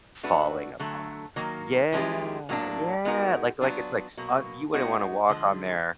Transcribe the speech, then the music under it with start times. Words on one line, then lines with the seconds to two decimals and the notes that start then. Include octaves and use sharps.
falling apart. Yeah, yeah, like like it's like s and you wouldn't wanna walk on there.
0.23 A3 D4 F#4 B4
0.80 D3 F#3 A3
1.36 D#3 F#3 A#3
1.92 F3 G#3 C#4 E4 G4
2.49 A2 F#3 A#3 D4
3.05 G#3 B3 D#4 F#4 A#4
3.61 F#3 B3 D4 F4
4.17 B2 F#3 A#3
4.73 G#3 B3 D#4 F#4
5.29 D3 F3 G#3